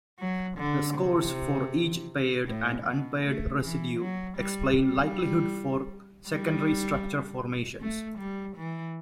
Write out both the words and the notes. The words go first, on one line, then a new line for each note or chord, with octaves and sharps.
The scores for each paired and unpaired residue explain likelihood for secondary structure formations.
F#3
D3
C3
A2
B2
A3
E3
F#3
G3
G3
G3
A3
G3
E3